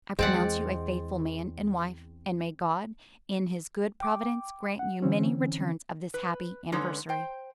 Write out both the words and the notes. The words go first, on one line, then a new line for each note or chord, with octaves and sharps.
"I pronounce you a faithful man and wife: and may God, in his good providence, grant you many returns of this happy anniversary."
E2 G#3 C4 D5 F#5
G5 D6
F#5
D3 E3 C4 C#4
B4
D3 G#3 C#4 D#4 B4
C5 G5